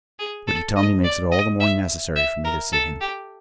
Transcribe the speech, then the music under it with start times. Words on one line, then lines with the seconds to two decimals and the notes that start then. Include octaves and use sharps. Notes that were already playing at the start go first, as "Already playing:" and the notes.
What you tell me makes it all the more necessary for me to see him.
0.19 G#4
0.47 A4
0.76 D#5
1.04 D5
1.31 D#5
1.60 E5
2.16 E5
2.44 A#4
2.72 A4
3.01 G4